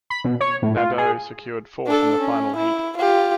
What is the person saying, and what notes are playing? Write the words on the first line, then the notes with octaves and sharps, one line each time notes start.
Nadeau secured fourth in the final heat.
B5
B2
C#5
A2
F4
G#4
D4 A4
C#4
E4
F4 G4